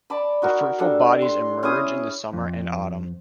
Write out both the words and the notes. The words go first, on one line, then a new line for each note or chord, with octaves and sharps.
The fruitful bodies emerge in the summer and autumn.
D5 A5 B5
D#4 F#4 A#4
G3 D4 A4
C6
C#4 E4 G#4 D#6
F2